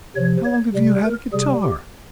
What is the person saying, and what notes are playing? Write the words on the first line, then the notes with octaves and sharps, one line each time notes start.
How long have you had a guitar?
C3 F3 C#5
C#5
C3 G3
A#4
C3 G3 G#4
G4